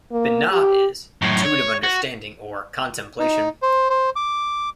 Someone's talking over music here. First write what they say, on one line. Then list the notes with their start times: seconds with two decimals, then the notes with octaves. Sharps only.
Binah is 'intuitive understanding', or 'contemplation'.
0.12 A#3
0.52 G4
1.22 F#2 A2
1.44 C#5
1.83 F#4
3.19 D#4
3.62 C5
3.90 C5
4.16 D6